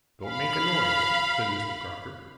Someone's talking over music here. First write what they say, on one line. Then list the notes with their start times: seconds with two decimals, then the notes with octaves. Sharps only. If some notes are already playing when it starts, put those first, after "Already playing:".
"Don't make a noise," said Mr. Crocker.
0.25 F5 B5